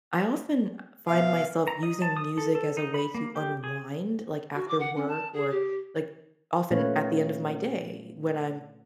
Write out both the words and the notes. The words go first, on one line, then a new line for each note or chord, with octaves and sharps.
I often find myself using music as a way to unwind, like, after work or, like, often at the end of my day when I'm
B2 E5 F5
A#5
D#5
A5
D#6
A4
A4
D#4
B5
A#3
G4
G#4
F#4
D6
F#5
C#4
A5
G#4
G4
A#2 A3 C#4 B4 C#5 F5